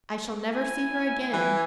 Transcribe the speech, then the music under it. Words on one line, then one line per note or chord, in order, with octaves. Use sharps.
I shall never see her again....
E4 G#5
E3